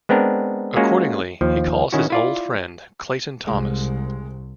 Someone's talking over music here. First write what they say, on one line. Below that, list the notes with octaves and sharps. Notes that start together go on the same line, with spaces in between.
Accordingly, he calls his old friend Clayton Thomas.
G#3 B3 C4 D4 A#4
G#3 A#3 C#4 F4 F#4
D#2 F3
D#3 C#4 E4 F#4
E4 F4 D5
C2 C3 G#3